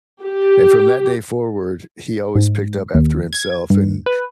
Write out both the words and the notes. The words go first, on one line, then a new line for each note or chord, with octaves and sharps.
and from that day forward, he always picked up after himself and
G4
G#2
D#2
G#6
G2
B4